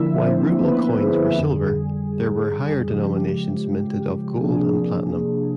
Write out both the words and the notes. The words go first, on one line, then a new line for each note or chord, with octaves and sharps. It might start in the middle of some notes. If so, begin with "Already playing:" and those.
While ruble coins were silver, there were higher denominations minted of gold and platinum.
Already playing: D3 F3 A#3 D4 E4 E5
C4 C5
B3 B4
G#4
F2 D3 G3
C#3 F3 G#3 G4
C3 F3 A#3 D4 G#4